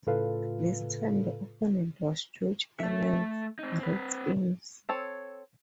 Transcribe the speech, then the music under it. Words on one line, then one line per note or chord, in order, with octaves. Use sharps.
This time, the opponent was George Allen's Redskins.
A2 C#3 F4 A4 B4 F5
A3 E5
C4 D#4
C4 B4
C4 A4 C#5